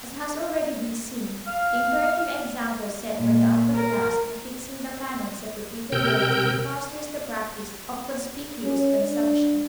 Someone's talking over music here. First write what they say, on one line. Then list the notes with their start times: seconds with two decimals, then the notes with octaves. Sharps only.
As has already been seen, the imperative example set by the upper class in fixing the canons of reputability fosters the practice of conspicuous consumption.
1.47 F5
3.15 A#2
3.74 A#4
5.92 C3 A#4 G5 E6 G6
8.64 C#4
9.03 D4